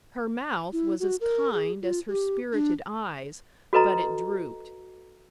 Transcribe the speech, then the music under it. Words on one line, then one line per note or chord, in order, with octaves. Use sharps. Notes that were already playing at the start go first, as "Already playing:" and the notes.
Her mouth was as kind as her spirited eyes, but it drooped.
E4
F#4
A#4
G#4
F4
G4
D4
F#4 A4 B4 D#5 A#5